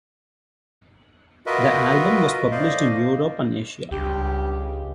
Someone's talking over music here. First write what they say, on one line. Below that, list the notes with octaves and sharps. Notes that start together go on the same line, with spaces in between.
The album was published in Europe and Asia.
F4 F#4 A#4 B4 D#5 E5
A3 C5 D5 D#5 F5
C#2 G2 C#3 G4